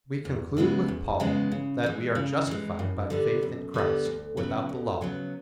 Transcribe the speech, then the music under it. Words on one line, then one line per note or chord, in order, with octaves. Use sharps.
We conclude with Paul, that we are justified by faith in Christ, without the Law.
E2
C#3 E3 G#3 B3
E2
C#3 E3 G#3 B3
C#3
E3 G#3
C#3
E3 G#3
F#2
D3 G3 B3
F#2
D3 G3 B3
D2
C#3 F#3 B3
D2
C#3 F#3 B3